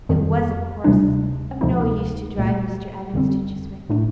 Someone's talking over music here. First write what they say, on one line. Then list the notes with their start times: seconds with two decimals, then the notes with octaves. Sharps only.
It was, of course, of no use to drive Mr. Evans to Chiswick.
0.09 F2 D#3 G3
0.84 D2 C3 G3 D4
1.61 D2 C3 F3 A3 D#4
2.38 C2 A#2 A3
3.13 G1 F2 D3 G3 C4
3.89 A2 A3 D4